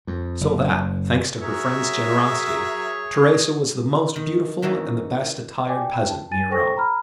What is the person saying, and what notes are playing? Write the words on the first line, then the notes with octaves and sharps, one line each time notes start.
So that, thanks to her friend's generosity, Teresa was the most beautiful and the best-attired peasant near Rome.
F2
F#1
F#3 G#4 A#4 C#5 E5
D#3
D#3 E3 A#3 C#4
D5 G5 G#5 D6
G5
A5
G#5 A6 D#7
A4 C5 G5 C#6 A#6
A#5 B5 F6